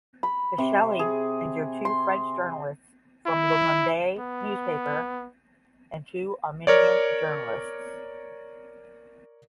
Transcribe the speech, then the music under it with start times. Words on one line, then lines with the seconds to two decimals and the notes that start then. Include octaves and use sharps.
The shelling injured two French journalists from "Le Monde" newspaper and two Armenian journalists.
0.23 B5
0.58 C3
0.99 G#4
1.85 C6
3.26 E4
4.19 B3
6.67 A#4 C#5 D5